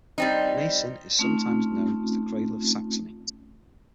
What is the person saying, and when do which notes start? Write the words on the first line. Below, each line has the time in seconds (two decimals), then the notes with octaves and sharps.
Meissen is sometimes known as the "cradle of Saxony".
0.18 G3 C4 D#4
1.19 A3 C4 C#4 D#4 F4